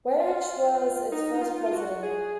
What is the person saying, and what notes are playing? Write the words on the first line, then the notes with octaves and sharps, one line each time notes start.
Weyrich was its first president.
F4
D#4
D#4
F4
F4
F#4
G#4